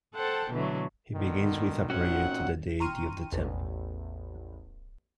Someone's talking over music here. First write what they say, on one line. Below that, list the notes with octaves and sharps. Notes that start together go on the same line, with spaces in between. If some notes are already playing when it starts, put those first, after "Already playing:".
He begins with a prayer to the deity of the temple.
A4 C5 F#5 G5 A5
B2 D3 E3 F#3 A3
B2 D3 D#3
A#2 C4 C#4 D#4 F#4 F#5
G5 A#5 C6 C#6 F6 D#7
A1 E2